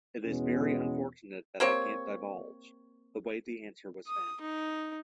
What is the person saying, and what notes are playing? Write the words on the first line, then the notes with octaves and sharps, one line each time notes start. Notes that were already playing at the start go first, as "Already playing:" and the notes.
It is very unfortunate that I can't divulge... the way the answer was found...
E2 B2 G#3 B3 C#4
A#3 C4 G4 C#5
D#6
D#4